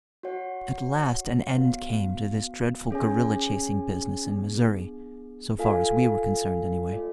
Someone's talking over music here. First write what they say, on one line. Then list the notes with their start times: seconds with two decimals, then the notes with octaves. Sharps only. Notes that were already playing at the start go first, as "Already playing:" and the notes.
At last an end came to this dreadful guerrilla-chasing business in Missouri so far as we were concerned, anyway.
0.23 F#4 C#5 F#5
1.57 B3 F#4 B4 F5
2.91 C#4 G#4 C#5 G#5
4.25 B3 D4 G#4
5.59 F4 A4 F5 G#5
6.93 A3 F4 A4 D5